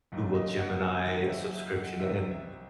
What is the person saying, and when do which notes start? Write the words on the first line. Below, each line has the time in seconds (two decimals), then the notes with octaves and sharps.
Google Gemini subscription, and
0.12 F#1 F#2 D#3
0.35 D#5
0.59 F#5
0.82 G#5
1.05 F#1 F#2 D#3 F#5
1.25 F#5
1.29 E5
1.53 E5
1.76 F#5
2.00 C2 C3 D#3 E5
2.31 E5